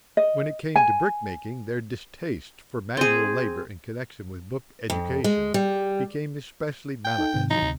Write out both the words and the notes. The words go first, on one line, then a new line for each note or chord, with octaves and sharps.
When it came to brickmaking, their distaste for manual labour in connection with book education became especially manifest.
D#5
G#5
C4 G#4
F2
G#3
G3
G5
D#4 A4
G#2 C3 D#3
D#3 E3 F#3 D#4
D2 C3